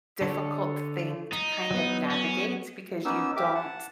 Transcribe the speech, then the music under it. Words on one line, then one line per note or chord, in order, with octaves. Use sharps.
difficult thing to kind of navigate, because you don't
D3 A4 C#5
D#4
F#3 B3
C#4
A#3 B3 C#4 D#4 E6
G4 A#4 E5 D6
F#5 A5